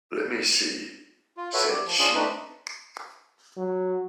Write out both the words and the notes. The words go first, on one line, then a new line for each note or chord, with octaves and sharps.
"Let me see," said she.
F4
F#4 A4 B4 C#5 E5
G3 G4
F3
C#4 D4 F4 G#4
A3 C4 D4 D#4 B4
F#3